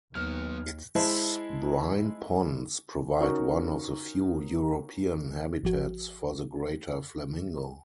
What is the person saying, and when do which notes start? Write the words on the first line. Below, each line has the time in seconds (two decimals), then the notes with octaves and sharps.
Its brine ponds provide one of the few European habitats for the greater flamingo.
0.15 D#2 F#3 B3 F6
0.95 G#3 E4 C5 E5 A5
3.20 C#4 D#4 F#4 A#4 C#6
5.63 G#1 F3 F#4